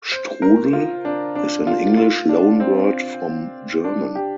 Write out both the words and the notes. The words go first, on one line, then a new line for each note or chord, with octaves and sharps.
Strudel is an English loanword from German.
C5
A#4
F4
D4
D4
F4
F4
D4
C4
D4
G4